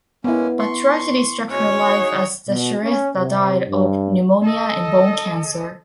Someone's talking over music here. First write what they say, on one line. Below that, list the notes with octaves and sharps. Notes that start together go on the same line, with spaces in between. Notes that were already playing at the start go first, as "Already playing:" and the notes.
But tragedy struck her life as the Shrestha died of pneumonia and bone cancer.
G#3 A#3 B3 C#4 E4
C6 C#6
D2 G#3 C#4 C#5
D#4 F#4 G#4
B2
C#4
C3
G2
A4 D#5